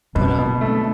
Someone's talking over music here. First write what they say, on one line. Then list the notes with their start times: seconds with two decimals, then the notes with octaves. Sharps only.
but, um
0.15 F#2 B2
0.39 B2
0.61 A3